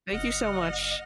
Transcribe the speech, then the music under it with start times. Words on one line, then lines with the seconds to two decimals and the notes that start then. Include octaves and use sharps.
Thank you so much.
0.12 F#1 D#5 F#5 F6